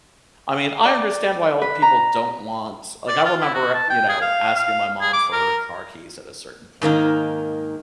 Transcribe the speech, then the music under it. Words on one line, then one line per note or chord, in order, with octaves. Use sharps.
I mean, I understand why old people don't want like, I remember a you know, asking my mom for her car keys at a certain point,
D5
B4
A#5
D5
F4
E4
F#4
A5
G5
G#4
F5
F5
G#4
D6
A#4
G#2 D#3 A#3 D#4